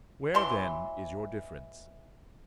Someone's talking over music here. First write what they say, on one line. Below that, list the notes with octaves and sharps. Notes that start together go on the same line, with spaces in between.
Where, then, is your difference?
B2 E3 F#3 C6